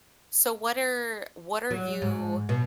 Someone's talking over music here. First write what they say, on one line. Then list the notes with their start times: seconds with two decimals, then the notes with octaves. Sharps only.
So, what are what are you
1.71 F#3
2.02 G#2
2.49 B2